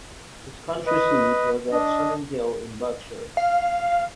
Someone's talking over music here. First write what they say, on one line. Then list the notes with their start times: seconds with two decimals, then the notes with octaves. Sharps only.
His country seat was at Sunninghill in Berkshire.
0.86 B4 D#5
1.72 D4 D#5
3.37 F5